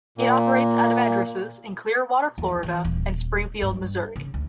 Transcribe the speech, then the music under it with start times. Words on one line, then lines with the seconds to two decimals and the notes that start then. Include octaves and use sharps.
It operates out of addresses in Clearwater, Florida, and Springfield, Missouri.
0.18 A#2 A#3
2.38 E2
2.63 E3
2.85 D#1
3.62 G2
4.16 C#3
4.34 D2